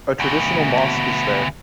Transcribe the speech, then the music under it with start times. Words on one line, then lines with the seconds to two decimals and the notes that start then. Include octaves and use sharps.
A traditional mosque is there.
0.20 D2 B2